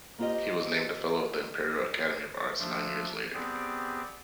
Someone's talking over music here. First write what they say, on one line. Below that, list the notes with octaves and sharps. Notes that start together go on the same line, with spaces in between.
He was named a fellow of the Imperial Academy of Arts nine years later.
A#3 C4 F4 G4 D#5
F3 A3 D4
B3 C4 G4 G#4 D5